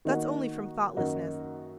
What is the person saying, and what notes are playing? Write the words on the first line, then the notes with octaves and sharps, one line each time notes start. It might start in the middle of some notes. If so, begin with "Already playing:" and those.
That's only from thoughtlessness.
D#3 A#3 D#4 F#4
F#2 D#3 A#3 D#4 F#4